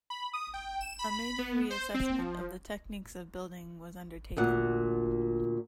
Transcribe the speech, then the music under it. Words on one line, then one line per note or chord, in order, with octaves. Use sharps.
A major re-assessment of the techniques of building was undertaken.
B5
D#6
G5
E7
B5
B3
C5
C4
F3
D2 A#2 F#5